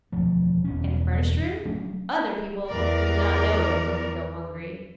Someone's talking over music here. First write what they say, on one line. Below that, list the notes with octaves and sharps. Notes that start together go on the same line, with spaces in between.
In a furnished room, other people do not know it when you go hungry.
E1 D2 F3 A3
E1 E2 G2 C#4
F#3 A3 C#4 D4
E2 A#4 D5